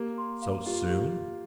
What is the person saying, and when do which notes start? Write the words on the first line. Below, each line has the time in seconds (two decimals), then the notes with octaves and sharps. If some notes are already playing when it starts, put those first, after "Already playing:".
"So soon?"
Already playing: A#3 G4
0.18 C6
0.42 F5
0.66 F4 G4
0.90 G4